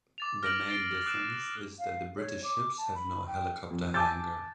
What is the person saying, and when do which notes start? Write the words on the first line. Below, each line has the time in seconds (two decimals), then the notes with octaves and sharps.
The main difference is that the British ships have no helicopter hangar.
0.18 D6 A6 F7
0.43 F6 A#6 D7 F#7
0.69 A6 C7 D7 G7
1.06 D#6 F#6 D7 E7
1.79 F5
2.17 C#5
2.44 D6
2.78 A5
2.95 B5
3.27 G5
3.70 F2
3.94 G#5 A5 D6 E6 G6 A6